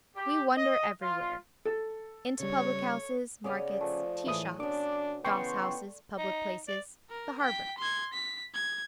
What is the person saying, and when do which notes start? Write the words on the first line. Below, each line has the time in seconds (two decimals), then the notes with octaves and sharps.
We wander everywhere: into public houses, markets, tea-shops, doss-houses, public places, the harbour.
0.16 G4
0.57 D#5
1.02 F4
1.65 A4
2.40 C#3 G3 C#5
3.44 C#3 B3 C#4 G#4 D5 D#5
3.81 F3 A3
4.26 A2 E3 E4 G#4 D#6
4.60 B2 C#4 D4 D6
5.24 C#3 E3 B3 G5 C6 C#6
6.18 D#4
6.68 D5
7.10 A#4
7.41 G5 B6
7.78 C6 G#6
8.13 B6
8.54 G#6